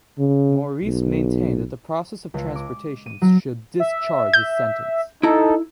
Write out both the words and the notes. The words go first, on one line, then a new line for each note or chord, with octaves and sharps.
Maurice maintained that the process of transportation should discharge his sentence.
C#3
B1
C#2
D6
D#7
F#3
E5
G6
D#4 E4 A4 A#5